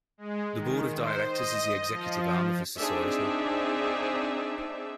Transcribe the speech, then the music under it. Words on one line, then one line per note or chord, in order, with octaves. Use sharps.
The Board of Directors is the executive arm of the Society.
G#3
D#3
C5
D#5
F3
C4 D4 D#4 G#4 D5 E5